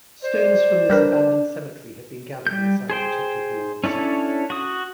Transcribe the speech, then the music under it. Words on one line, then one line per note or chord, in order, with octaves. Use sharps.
Stones from this abandoned cemetery have been gathered inside protective walls.
C5 D5
G3 D4 A#4 B4
G3 G6
G#4 C5 G5
C#4 D4 E4 A4 C#5
F#4 D#6